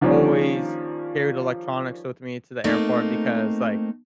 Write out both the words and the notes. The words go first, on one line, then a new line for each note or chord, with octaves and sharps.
always carried electronics with me to the airport because, like,
D#3 F3 G3 A#3 C#4 D4
A3 A#3 C4 D#4